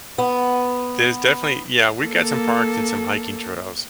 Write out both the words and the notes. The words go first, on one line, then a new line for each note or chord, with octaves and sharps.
there's definitely yeah, we've got some parks and some hiking trails,
B3
A#3 A4